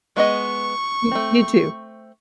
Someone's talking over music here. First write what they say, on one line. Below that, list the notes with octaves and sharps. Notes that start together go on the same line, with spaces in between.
Y you too.
G#3 B3 D#5 C#6
A3 C4